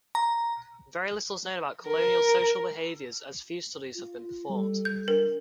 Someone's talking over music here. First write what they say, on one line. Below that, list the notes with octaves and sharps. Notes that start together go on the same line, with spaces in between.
Very little is known about colonial social behaviors as few studies have been performed.
A#5
A#4
F4
G3 A4
G6
D4 A#4